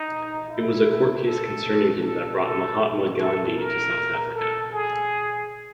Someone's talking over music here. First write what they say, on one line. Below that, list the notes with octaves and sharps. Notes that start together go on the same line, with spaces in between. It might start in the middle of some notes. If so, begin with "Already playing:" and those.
It was a court case concerning him that brought Mahatma Gandhi to South Africa.
Already playing: D#4
E4
A4
A4
A4
A4
A#4
A4
G#4